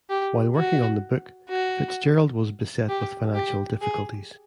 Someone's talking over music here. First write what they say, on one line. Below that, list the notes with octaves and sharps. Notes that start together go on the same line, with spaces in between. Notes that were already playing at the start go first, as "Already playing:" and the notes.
While working on the book, Fitzgerald was beset with financial difficulties.
G4
F#4
F#4
G4
G4
G#4